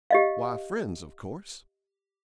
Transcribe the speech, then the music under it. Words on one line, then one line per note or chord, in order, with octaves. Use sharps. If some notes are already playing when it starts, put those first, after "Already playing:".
'Why, friends, of course.
G4 D#5 F5